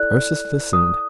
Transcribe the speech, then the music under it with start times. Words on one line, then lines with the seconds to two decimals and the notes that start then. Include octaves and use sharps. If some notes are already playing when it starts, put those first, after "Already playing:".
Ursus listened.
Already playing: E4 A4 D5 F#6
0.73 D#6